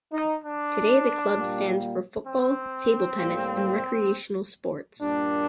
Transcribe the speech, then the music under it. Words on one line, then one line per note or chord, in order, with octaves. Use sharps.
Today the club stands for football, table tennis and recreational sports.
D#4
D4
A#2 G3 A#3
C4
A2 G3 A#3
A#2 G3 A#3 D4